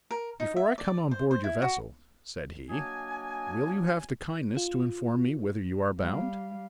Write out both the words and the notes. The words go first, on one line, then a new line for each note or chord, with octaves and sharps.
"Before I come on board your vessel," said he, "will you have the kindness to inform me whither you are bound?"
A#4
D#4
E5
D5
C5
C5
E4
F#4
F#3 A#3 D4 D#5 G#5
F4
G3 F5